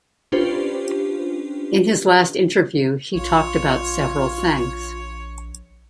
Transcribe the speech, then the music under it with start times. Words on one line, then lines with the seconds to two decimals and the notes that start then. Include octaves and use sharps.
In his last interview he talked about several things.
0.32 C#4 D4 F4 G4 B4 C5
3.15 A#1 F4 C#5